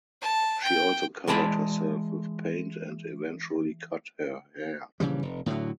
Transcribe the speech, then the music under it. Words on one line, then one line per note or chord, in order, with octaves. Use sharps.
She also covered herself with paint and eventually cut her hair.
A5
G5
E3 G#3 D5 A5 B5
A#1 C#3 E3 G3
F1
A2 D3 D#3 F#3